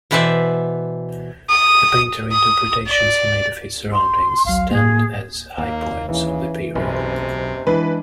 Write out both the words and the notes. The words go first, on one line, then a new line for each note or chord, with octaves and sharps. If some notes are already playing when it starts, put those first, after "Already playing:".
The painterly interpretations he made of his surroundings stand as highpoints of the period.
B2 E3 B4 C5 D5 E5
D#6
D#6
D5
C6
A1 D2 F#3 F5
A2 A#3 G#4
D#2 A#3
C#3 E3
F#1 B1 C3
E3 G#3 D4 B4